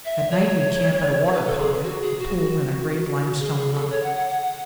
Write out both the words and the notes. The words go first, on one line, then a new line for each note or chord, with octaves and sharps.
At night we camp at a water pocket, a pool in a great limestone rock.
E5
C#5
C#5
B4
A4
G#4
F#4
G#4
F#4
F#4
G#4
G#4
A4
C#5
F#5
F#5
F#5
F#5